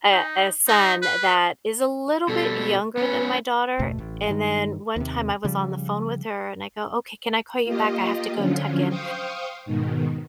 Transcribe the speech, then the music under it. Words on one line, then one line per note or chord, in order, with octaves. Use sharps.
a a son that is a little bit younger than my daughter, and then one time I was on the phone with her and I go, "Okay, can I call you back? I have to go tuck in,
D#4
D#4
B4
B2 G3 A4
B3 C#4 B4
F#1 D#2 B2 A3
A1
G2 D#3
D#2 C3
C#3 F3 G3
A#3 F4 G4 D#5
D3 F3 F#3 C#4 F4
C5 F5 G5 C#6 D#6
G#2 B2 D#3